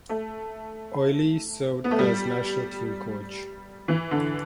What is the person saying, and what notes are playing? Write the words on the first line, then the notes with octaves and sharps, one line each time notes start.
Ollie served as national team coach.
A3
B3
A3
G3
E3
D3